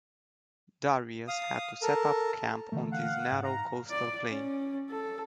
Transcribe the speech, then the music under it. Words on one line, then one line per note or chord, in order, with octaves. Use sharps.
Darius had to set up camp on this narrow coastal plain.
F5 D#6
A4 A#4
D3 E3 A3
F5 F#5
G#2
A#5
D5
C#4
A4